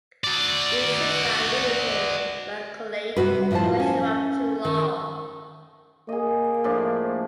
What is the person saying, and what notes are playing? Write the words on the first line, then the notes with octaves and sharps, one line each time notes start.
Its sessile leaves are lanceolate and measure up to long.
F#4 D5
C3 G3 F#4 B4
A2 F3 F4 C5 A5
C#4
D#3
A#3 G#4 D#5
A2 F3 D4